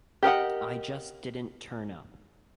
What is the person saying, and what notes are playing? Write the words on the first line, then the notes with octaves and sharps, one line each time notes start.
I just didn't turn up.
G4 A#4 D#5 F#5